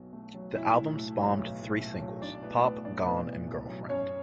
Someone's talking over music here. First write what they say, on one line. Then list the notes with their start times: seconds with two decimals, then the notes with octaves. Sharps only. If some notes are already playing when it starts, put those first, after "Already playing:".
The album spawned three singles: "Pop", "Gone" and "Girlfriend".
Already playing: B1 B2 F#3
0.13 A3
0.34 F#3
0.55 B1 E4 E5
0.76 A2
0.97 A3
1.18 F#3
1.39 B1
1.60 A2
1.80 A3
2.01 F#3
2.22 B1 D4 D5
2.43 A2 B3 B4
2.64 A3 B3 B4
2.85 F#3 D4 D5
3.06 B1 B3 B4
3.27 A2
3.47 A3
3.68 F#3
3.89 F#2 C#4 C#5